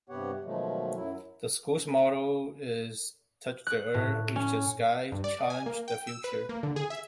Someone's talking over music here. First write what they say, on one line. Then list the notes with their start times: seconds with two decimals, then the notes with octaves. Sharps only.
The school's motto is 'Touch the earth, reach the sky, challenge the future'.
0.09 G2 C3 B3 G4 C#5 F#5
0.44 B2 D#3 F3 F#3 G#3 A3
0.95 F#2 F#3 E4
3.67 F#6
3.94 A2
4.36 C#4
5.12 G2
5.24 D5
5.50 G#5
5.66 A#3
5.88 G5
6.07 E6
6.24 B4
6.49 A#3
6.63 D3
6.76 G#4
6.90 E5